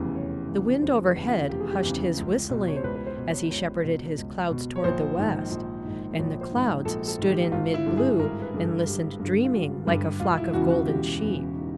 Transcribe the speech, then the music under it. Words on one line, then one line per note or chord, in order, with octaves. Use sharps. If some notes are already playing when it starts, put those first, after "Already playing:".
The Wind overhead hushed his whistling, as he shepherded his clouds toward the west; and the clouds stood in mid blue, and listened dreaming, like a flock of golden sheep.
Already playing: F1 E2 C#3
F1 C#5
E2 C#3
F1 C5
B4
E2 C#3
F4
F1 G4
G#4
G4
E2 C#3
C#2
B2
C#5
C5
C#2 B4
B4
C5
B2
C#5
C#2 C#5
B2
C#2
B2
C#5
A#1 C5
G#2 D#3
A#1
G#2 D#3
A#1 C#5
C5
G#2 D#3
A#1 A4
A4
G#2 D#3
G4
G#1 F4
E4
G2 D3
G#4
G#1 A#4
B4
G2 D3 G#4
A4
G#1 G4
G2 D3
F4
G#1 F#4
G2 D3
E1 F4
E4
E2 C#3 E3 F#4
F#4
E1 G4
E2 C#3 E3
D#4